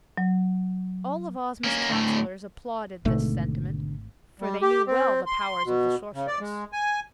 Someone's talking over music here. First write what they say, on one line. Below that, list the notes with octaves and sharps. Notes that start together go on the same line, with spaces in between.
All of Ozma's counsellors applauded this sentiment, for they knew well the powers of the Sorceress.
F#3
A#3 C#4
D2 A2
G#1 G#2 B2 D3 A3
G3
G4
C4
C6
B2
C#3
D5
G#3
G#5